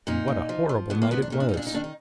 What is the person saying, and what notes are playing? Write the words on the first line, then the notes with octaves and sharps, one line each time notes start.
And what a horrible night it was!
A#2 D#4
A#2
F3
F3
G#2 B3
A#3
G#2 B3
D4
A#2 D#4
D4
D#4
A#2 D4
D#4
D#3 D4
D#4